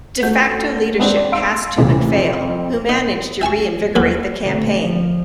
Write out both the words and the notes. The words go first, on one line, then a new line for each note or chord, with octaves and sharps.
De facto leadership passed to MacPhail, who managed to reinvigorate the campaign.
A3 F#4 G6
G#3 B3 C4 D4
D5
F5 C6 E6 D7
D2 C3 E3
F2 C4
D#4
E5 G#5 A5 C#6
D#2 F#3 A4 B5
B2 D3 E3 A3 C4
F3